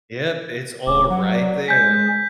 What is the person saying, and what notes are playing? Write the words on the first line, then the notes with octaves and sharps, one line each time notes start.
Yep. It's all right there.
D1 D6
F#3 F#5
D5
G#3 G#5 G6 B6